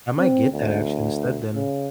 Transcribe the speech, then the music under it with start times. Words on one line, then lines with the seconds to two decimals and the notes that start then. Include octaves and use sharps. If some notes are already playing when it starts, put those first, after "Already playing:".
I might get that actually instead then,
0.19 C4
0.52 D2
1.54 C#3